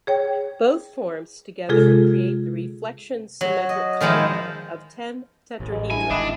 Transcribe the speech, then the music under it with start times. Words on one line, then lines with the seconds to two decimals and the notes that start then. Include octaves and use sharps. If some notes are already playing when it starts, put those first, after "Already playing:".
Both forms together create the reflection symmetric compound of ten tetrahedra.
0.07 G#4 C#5 G5
1.69 C3 G#3 F4 G#4 A4
3.41 F#3
3.69 D#5
4.01 D#3 F3 G#3 E4
5.60 A1
5.72 G#3
5.91 G2 E4 G#5
6.11 G#1 D4 E4 D#5